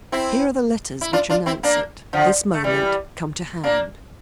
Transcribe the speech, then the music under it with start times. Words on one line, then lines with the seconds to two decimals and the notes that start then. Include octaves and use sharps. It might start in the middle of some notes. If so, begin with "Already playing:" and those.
Here are the letters which announce it, this moment come to hand.
0.12 C4 E4
1.01 E4
1.13 D4 F4
1.30 D4 F4
1.46 C4 E4
1.63 A#3 D4
2.13 D3 F3
2.54 A3
2.64 E3 G3
3.64 A#3 D4